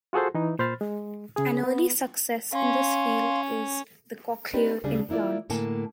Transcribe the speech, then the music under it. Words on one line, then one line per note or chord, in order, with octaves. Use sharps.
An early success in this field is the "cochlear implant".
F4 F#4 G#4 A4 C5
E3 D#4
A#2 C5 B5 F6 A6
G#3
C#3 G#4
B3
C#4 F5 C6
C4 D4 D#4 G4 B4
D2 C#3 G3 D4 G#4
E3 A#3 E4 F4 D5
A2 D3 A3 A#3 G#5 A5